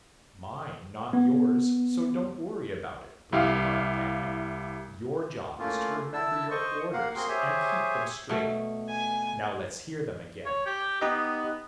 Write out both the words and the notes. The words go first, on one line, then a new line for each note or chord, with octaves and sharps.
"Mine, not yours, so don't worry about it," Brion barked at him. "Your job is to remember your orders and keep them straight. Now--let's hear them again."
B3
C2 E4 G4 F5
A3 A#3 C#4 E4 F4
E4 A5 E6
C5 D#5 C#6
A#3 A#4 F5 F#5
A#3 C4 F#4 G#4 A#4 C6
G4 G#4 C5 C#5 E5 G#5
B2 A3
G#5
C#5
G4
B3 D#4 G4 D#5